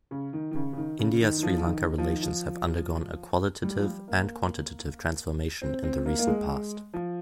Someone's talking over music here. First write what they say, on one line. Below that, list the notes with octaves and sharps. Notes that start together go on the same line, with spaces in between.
India-Sri Lanka relations have undergone a qualitative and quantitative transformation in the recent past.
C#3
D#3
D#3
C#3
C#3
D#3
C#3
D#3
D#3
F3
F3
D#3
F3
D#3
F3
G3
F3
G3
A#3
C4
C4
A#3
A#3
G#3
F3